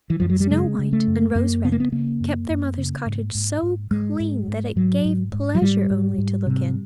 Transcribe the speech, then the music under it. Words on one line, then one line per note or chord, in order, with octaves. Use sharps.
Snow-White and Rose-Red kept their mother's cottage so clean that it gave pleasure only to look in.
E3
F#2 F3
F#3
G3
C#3 G#3
C#3
A3
F#2
F#2 A#3
C#3 B3
A#3
B3
C#3 A#3
F#2
F#2
C#3
G#2
G#2
G#2
G#2 G#3
G#2
G#2
G#2 F#3
G#2
G#2
F#3
G#2 G3
G#2
G#2
C3